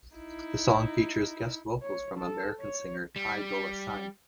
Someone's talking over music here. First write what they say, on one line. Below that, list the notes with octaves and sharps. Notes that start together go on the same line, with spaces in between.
The song features guest vocals from American singer Ty Dolla Sign.
D#4 E4
C#5
A4
C#5
G3